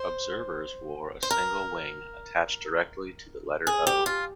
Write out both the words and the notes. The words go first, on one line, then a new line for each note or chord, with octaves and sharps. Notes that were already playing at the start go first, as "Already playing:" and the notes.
Observers wore a single wing attached directly to the letter "O".
Already playing: C5
C5
A#4
G#4
G4
F4